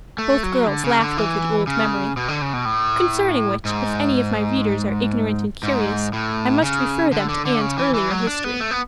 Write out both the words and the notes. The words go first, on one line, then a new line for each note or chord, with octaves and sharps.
Both girls laughed over the old memory . . . concerning which, if any of my readers are ignorant and curious, I must refer them to Anne's earlier history.
A3
F#3
D3
C#3
D3
E3
C#3
B2
D3
C#3
B2
A2
G#2
G#2
A2
C#3
D3
D3
D3
C#3
E3
E3
F#3
D4
B3
A3
B3